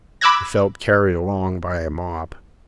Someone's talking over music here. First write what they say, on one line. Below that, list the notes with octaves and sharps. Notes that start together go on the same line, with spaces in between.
He felt carried along by a mob.
B5 D6 E6 F#6 G#6 A#6